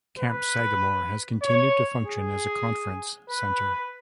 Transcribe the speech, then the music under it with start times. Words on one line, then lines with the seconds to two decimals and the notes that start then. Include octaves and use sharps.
Camp Sagamore has continued to function as a conference center.
0.18 B4
1.42 C#5
2.05 G#4
3.30 B4